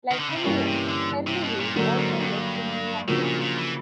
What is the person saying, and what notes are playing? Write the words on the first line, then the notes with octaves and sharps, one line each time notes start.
Like Williams, Herlihy also lived in New York City.
D#3
D3
C#3
C3
G2 B2 E3 G3 A#3 C#4
C3
D3
C3
B2
A#2
A2 D3 F#3 A#3
G#2
G2
A2 C#3 F3 A#3 D4 F#4
A#2
A#2
E3